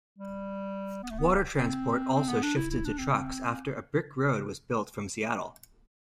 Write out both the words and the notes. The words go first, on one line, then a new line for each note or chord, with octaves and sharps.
Water transport also shifted to trucks after a brick road was built from Seattle.
G3
B3
A3
B3
C4
C4
B3
D4
E4
E4
D4
C4